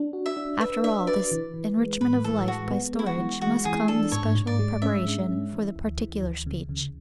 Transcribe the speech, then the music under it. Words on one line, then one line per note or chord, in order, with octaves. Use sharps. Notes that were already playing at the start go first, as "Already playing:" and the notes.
After all this enrichment of life by storage, must come the special preparation for the particular speech.
Already playing: D4
F#4
E5
D4
B4 E5
D4 E5
B4 D5
E3
E3
G#3
A2 B4
E3 A4
G#3 F#4
B3
G#3 E4
F#4
E3
G#3 F#4
E3 G#4
D4 A4
G#2 C#5
G#2
D5
G#3
C#4 E5
G#3
C#4
E3
D2
E3
D2
C#3
C#3